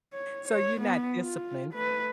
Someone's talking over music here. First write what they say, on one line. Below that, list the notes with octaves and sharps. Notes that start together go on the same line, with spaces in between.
So you're not disciplined.
C#5
C#5
B3
F4
A3 B4